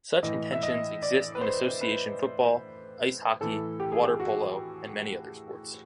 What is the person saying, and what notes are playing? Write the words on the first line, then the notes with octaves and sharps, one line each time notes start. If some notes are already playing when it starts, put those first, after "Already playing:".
Such intentions exist in association football, ice hockey, water polo and many other sports.
A2 E3 D#5
E5
D#5
D5
B4
C5
B4
A2 E3 A4
G4
G#4
G4
F#4